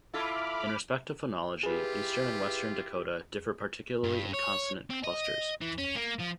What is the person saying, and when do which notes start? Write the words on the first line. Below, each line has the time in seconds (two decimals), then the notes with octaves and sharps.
In respect to phonology Eastern and Western Dakota differ particularly in consonant clusters.
0.14 E4 F4 A4 B5 D6 F6
1.63 E4 F4 G4 G#4 B4
4.04 G2
4.34 C#5
4.90 C4
5.04 D#5
5.61 E3
5.78 C#4
5.95 A#3
6.20 F3